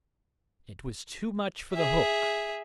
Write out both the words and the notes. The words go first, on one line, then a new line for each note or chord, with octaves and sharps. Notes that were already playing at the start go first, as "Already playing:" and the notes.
It was too much for the hook.
G#4 E5